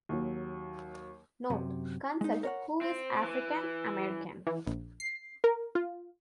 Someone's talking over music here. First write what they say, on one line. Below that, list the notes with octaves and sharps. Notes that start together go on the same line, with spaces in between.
Note: Consult Who is African-American?
D#2 F#3
F#2 C3
G#3 D#4
A#4 C#5 F#5
C4
E3
E3
A#1
C7
A#4
F4